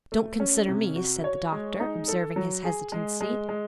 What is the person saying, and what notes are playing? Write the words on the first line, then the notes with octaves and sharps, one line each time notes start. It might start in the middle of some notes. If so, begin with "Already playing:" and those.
"Don't consider me," said the doctor, observing his hesitancy.
A3
C#4
C3
F#4
C#5
G#3
D#4
A4
F#3
G#4
G#3
G#3
G#3